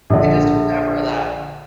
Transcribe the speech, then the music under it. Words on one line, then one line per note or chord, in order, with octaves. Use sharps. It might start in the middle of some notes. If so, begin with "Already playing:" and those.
I just remember that.
A#1 D3